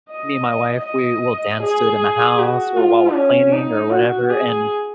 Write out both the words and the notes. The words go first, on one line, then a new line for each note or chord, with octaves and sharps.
me and my wife, we will dance to it in the house, we'll while we're cleaning or whatever, and
D#5
D#5
G#4
F#4
F4
C#4
D#4
F#4
G#4